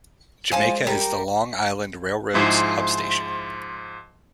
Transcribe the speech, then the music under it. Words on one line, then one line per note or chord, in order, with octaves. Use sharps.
Jamaica is the Long Island Rail Road's hub station.
F3 G#3 C5 G#5 A5
G3 A#4
G#2 F3 E4 G#4 C5 C6